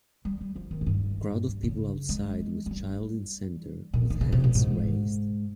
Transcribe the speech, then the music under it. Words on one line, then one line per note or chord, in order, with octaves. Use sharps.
Crowd of people outside with child in center with hands raised.
G3
G3
F3
D#3
G#2
G2
G2
C#3
G#3
G#3
G3
A#2
D#3
C#3
C3
A#2
G#2